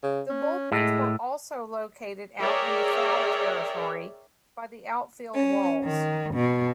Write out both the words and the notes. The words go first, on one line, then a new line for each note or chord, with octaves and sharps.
The bullpens were also located out in the foul territory by the outfield walls.
C#3
C#4
A2 G#3
G#4 A#4 C#5 D5 E5 G5
C#4
D#3
B2